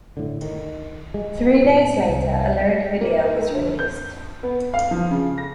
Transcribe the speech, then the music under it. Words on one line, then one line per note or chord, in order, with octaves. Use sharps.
Three days later a lyric video was released.
A2 D3
D#3
G#3
A2
C2
A#3
A3
D3
G6
B3
F5
F3
C#3
A#6